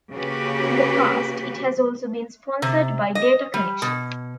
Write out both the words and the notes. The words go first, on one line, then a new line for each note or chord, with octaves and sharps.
In the past, it has also been sponsored by Data Connection.
C#3 A#3 F#4 G4 B4
C3
D#5
G3
B2